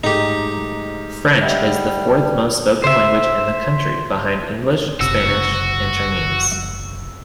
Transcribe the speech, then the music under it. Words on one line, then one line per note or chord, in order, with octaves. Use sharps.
French is the fourth most-spoken language in the country, behind English, Spanish, and Chinese.
G#2 A3 D#4 G4
G3 D#5 E5 F#5
C5 E5
F#1 C3 F#4 E6